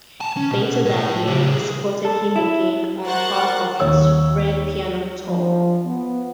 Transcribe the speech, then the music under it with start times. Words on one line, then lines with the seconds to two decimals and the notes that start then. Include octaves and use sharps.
Later that year, he supported him again on part of his Red Piano Tour.
0.20 G#5 A5
0.37 C#4
0.51 B2
0.85 A2
1.27 C#3 G4
1.50 C2 G#4
2.05 A4
2.36 E4
3.03 A#4 C5 F#5 C#6 F#6 A6
3.80 D#2 C#5 E6
5.26 F3
5.85 B3